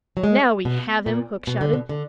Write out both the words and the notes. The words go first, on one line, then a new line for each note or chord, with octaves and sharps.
"Now we have him," Hook shouted.
F#3
G#3
B2
A#2
B2
D3
B2
D3